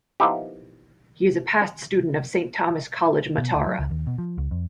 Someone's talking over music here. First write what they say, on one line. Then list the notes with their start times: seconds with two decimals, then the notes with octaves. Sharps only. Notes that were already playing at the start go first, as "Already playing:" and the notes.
He is a past student of Saint Thomas' College, Matara.
0.20 F3 A#3 B3 D#4 E4 G4
3.38 B2
3.54 D2
3.67 F#3
3.79 C#2
3.91 D#2
4.07 B2
4.18 F3
4.38 C#2
4.51 F2